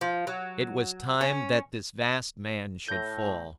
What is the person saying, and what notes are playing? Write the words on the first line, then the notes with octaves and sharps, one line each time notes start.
It was time that this vast man should fall.
F3
F#3
C#4
A2 G6 A#6